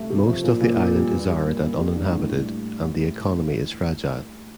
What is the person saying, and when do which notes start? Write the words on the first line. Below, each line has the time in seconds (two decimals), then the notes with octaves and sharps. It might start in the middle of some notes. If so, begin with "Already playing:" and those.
Most of the island is arid and uninhabited and the economy is fragile.
Already playing: C3 A3
0.10 C3
0.27 F3
0.44 A#2
0.61 A#2
0.77 A#2
0.95 G3
1.11 G2
1.28 G3
1.45 A#3
1.62 A#3
1.79 G3
1.96 D4
2.13 A2